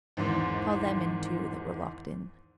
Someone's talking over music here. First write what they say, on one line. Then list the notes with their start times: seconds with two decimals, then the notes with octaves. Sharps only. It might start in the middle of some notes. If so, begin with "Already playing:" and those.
Call them in, too, that were locked in....
0.17 G#1 E2 G#2 D#3